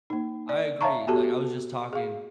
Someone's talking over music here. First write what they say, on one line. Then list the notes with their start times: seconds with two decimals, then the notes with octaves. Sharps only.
I agree, like, I was just talking
0.10 A#3 D#4
0.49 D5
0.81 C#5 E5 F5 A5 A#5 C#6
1.07 B3 F#4 G4 A4 A5
1.93 G#4 F5